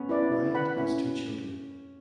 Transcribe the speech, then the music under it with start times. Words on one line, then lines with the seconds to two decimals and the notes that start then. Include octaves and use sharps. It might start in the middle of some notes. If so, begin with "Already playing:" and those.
Bryant has two children.
Already playing: B3 C#4
0.09 E4 B4 D5
0.32 E4
0.55 B4 F#5 B5
0.76 C#4 E4